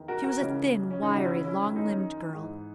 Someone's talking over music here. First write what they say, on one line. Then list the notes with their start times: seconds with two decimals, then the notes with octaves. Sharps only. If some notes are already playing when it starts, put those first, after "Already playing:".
She was a thin, wiry, long-limbed girl.
Already playing: E2 D#3
0.08 F#4 A#4
0.24 F#4 A#4
0.40 C#2 C#3 E3 C#4
0.91 C#4
1.03 D#2 C#3 E3 D#4
1.17 F#4
1.23 C#4 E4
1.45 C#4 E4
1.66 F#2 D#3 E4
1.76 D#4
1.87 C#4
1.97 D#4
2.29 G#2 E3